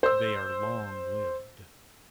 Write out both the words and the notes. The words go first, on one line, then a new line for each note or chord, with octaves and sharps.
They are long-lived.
C5 E6